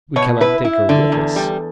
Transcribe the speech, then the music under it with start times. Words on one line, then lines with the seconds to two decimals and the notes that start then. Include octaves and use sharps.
"We cannot take her with us."
0.16 B2 C#5
0.41 E4 B4
0.64 E4
0.89 D3 D5
1.12 E2
1.36 G3